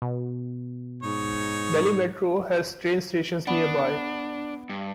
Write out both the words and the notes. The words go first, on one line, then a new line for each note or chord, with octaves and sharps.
Delhi Metro has train stations nearby.
B2
G#2 D#4 C#5
B3 D4
G2